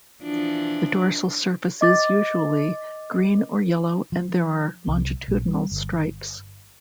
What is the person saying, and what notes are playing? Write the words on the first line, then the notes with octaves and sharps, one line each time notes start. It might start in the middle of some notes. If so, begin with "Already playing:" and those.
The dorsal surface is usually green or yellow and there are longitudinal stripes.
E3 F3 D4
D#5 D6 A6
F3
C2
A#1
G3
G1